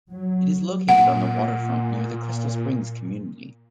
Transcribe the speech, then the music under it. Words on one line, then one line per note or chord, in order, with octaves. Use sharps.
It is located on the waterfront near the Crystal Springs community.
F#3
A#2 F#5